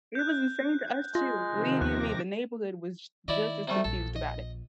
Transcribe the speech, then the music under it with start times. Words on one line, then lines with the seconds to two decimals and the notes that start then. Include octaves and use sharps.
It was insane to us, too, believe you me, the neighborhood was j just as confused about it.
0.15 F#6 G6
1.15 G#3 F4 A#6
1.47 C3 D#3 F3
1.81 D#2 D6 F#6 A#6
3.28 D#3 E4 D5 D#5
3.68 C3 G3 A3
3.84 A#1 A4
4.16 D#5